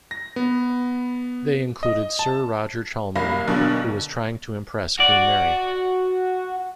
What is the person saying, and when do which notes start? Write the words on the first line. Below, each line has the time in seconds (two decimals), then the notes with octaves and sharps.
They included Sir Roger Cholmeley, who was trying to impress Queen Mary.
0.11 A#6
0.36 B3
1.83 D#5
2.19 A5
3.16 C2 A#3 F5 B5 A#6
3.47 B1 B2 D3 D4 A#4
5.00 F#4 D5